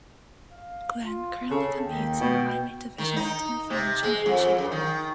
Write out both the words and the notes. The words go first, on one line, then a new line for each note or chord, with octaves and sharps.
Glenn currently competes in the Lightweight division Ultimate Fighting Championship.
F5
F4
C#3 A4
D#2 G5
B2
D#3
D#4
C3
G#3
F2
F#2
D#3